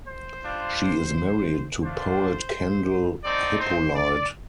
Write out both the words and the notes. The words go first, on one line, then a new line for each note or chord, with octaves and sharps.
She is married to poet Kendel Hippolyte.
C5
G3 D4 F4
A3 D4 F4 C5
A3 C4 D#4 D5
C5
D5